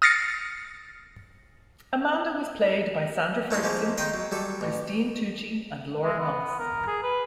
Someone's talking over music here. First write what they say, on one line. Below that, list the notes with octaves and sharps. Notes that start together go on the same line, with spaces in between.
Amanda was played by Sandra Ferguson, Christine Tucci, and Laura Moss.
D#6 F6 A6 A#6 C7 C#7
A3 E4 G#4 C6
F3 G#3 A#3 C#4
D#3 D#4 D#5 G5 C6
F#3
F#3 G3 A4
A1
G#3
B3
A#4
G#4
B4